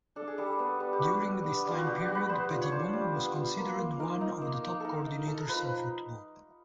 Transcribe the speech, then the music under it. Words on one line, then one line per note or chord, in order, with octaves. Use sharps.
During this time period, Petitbon was considered one of the top coordinators in football.
D4 A4
G#4
G3 A4
B3
G3
G4
D4 F#4
G3
B3
G3 F4
F#4
D4 G4
F#4
G3
B4
B3 C5
F4
C#5
D4 C5
G3
B3
F4
A#3
A#3
D#4 A#4
D#4
A#3
A#3
D#4 A4 A#4
D#4
D#4 A4
A#4
F3 B4